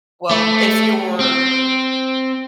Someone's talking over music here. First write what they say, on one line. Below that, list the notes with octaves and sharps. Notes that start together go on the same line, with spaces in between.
Well, if you're
A3
C4